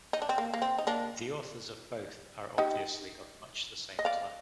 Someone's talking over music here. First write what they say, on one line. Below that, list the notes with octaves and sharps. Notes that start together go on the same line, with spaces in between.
The authors of both are obviously of much the same type.
D#4
D4
C4
A#3
A#3
C4
D#4
A#3 D4
D#4 G4
D#5
D5 F5